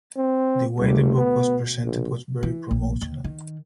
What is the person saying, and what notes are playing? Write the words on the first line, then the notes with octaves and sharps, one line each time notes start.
The way the book was presented was very promotional.
C4
F#1 D2 G3 A3
B2 B3
A#1 B2
E3
A#1
D#2
D#3